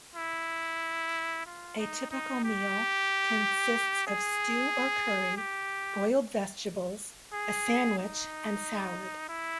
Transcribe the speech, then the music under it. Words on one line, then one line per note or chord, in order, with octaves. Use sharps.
A typical meal consists of stew or curry, boiled vegetables, a sandwich, and salad.
E4
F4
D#4
D#4
G4
G#4
G4
G#4
D#4
E4